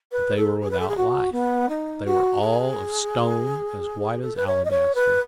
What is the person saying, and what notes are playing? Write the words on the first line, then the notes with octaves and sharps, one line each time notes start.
But they were without life--they were all of stone as white as alabaster.
B4
A4
G#4
B4
A4
G#4
F#4
B3
D#4
F#4
G#4
A4
B4
C#5
D#5
C#5
B4